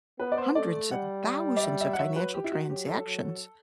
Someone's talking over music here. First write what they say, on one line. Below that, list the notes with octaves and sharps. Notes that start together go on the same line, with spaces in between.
hundreds and thousands of financial transactions,
B3 B4
D5
C5
A3 D5
G3 F#5
D5
E5
E5
F#5
F#3 E5
B4
G4
E4
F#4
F#3 G4
A4
F#3